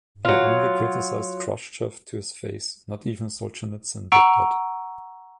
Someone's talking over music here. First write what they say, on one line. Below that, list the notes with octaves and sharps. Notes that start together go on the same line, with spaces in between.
Only I criticised Khrushchev to his face; not even Solzhenitsyn did that.
F#3 F4
F#5 A#5 C#6 E6 D7